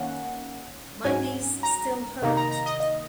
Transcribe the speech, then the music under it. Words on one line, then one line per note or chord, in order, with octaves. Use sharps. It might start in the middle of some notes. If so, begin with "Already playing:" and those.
My knees still hurt.
Already playing: D#3 A#3 C#4 F#5
G#2 F#3 C#4 G#5
A#5
C3 D#3 A#3 D#4
A#5
A#5
D#5
D#5